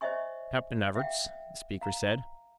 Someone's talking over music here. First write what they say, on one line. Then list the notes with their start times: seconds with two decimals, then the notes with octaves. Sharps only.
"Captain Everts," the speaker said.
0.01 C5 C#5 D#5 E5 G#5 C#6
0.95 E5 F5 G5
1.81 F5 A#5